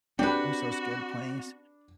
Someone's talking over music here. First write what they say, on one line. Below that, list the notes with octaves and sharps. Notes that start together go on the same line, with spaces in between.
I'm so scared of planes.
C4 D4 F#4 G4 B4